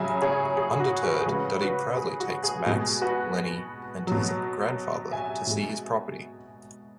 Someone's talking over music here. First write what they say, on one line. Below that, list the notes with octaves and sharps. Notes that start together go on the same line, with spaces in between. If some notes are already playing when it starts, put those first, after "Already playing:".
Undeterred, Duddy proudly takes Max, Lenny and his grandfather to see his property.
Already playing: C#3 F#3 E5 G#5
G#4 C#5
G#4
F#4
F#4 B4
G#4
C#3 G#3 F#4 B4
F#4 B4
G#4
F#4
G#4
B2 G#3 G#4
F#4 B4
B2 F#3
E5 G#5
B2 G#3